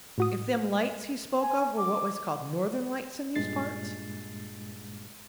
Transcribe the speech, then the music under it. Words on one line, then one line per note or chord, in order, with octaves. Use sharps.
"If them lights he spoke of were what was called northern lights in these parts?"
A2 F#4 D#6
G#5
D6
G2 A#2 G#3 A6 C7